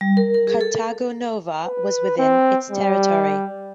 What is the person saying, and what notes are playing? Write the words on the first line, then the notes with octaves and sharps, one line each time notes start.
Cartago Nova was within its territory.
G3
A#4
A#4
G#4
A4
B4
C4
G3